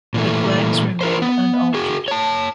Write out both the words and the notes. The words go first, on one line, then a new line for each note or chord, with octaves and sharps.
The flags remain unaltered.
A#2 E3 A3
F4 A#4 C5
B3
F#4 G#4
C#5 A5